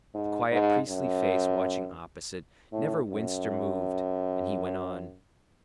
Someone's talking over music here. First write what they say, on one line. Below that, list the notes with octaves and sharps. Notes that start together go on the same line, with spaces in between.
The quiet, priestly face watching opposite never winced or moved; and he went on.
G#2
G#2
F#2
A2
F#2